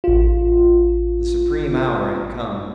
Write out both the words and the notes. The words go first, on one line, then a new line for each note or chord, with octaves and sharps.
The supreme hour had come.
A1 F4